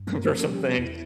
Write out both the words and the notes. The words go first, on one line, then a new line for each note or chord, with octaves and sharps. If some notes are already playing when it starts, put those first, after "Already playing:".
for some things.
Already playing: G2
A#3 A#4
F3 C#4
A4
G3 G4
E2 E4